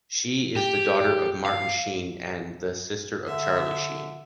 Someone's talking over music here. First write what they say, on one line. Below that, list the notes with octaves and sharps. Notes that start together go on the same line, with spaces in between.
She is the daughter of Martin Sheen and the sister of Charlie Sheen.
G4
F5
D3 E5